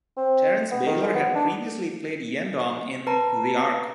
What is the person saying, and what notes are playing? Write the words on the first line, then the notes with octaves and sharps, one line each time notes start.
Terence Bayler had previously played Yendom in "The Ark".
C4
B3
D#3
G#3
B3
D4
B4 A5 A#5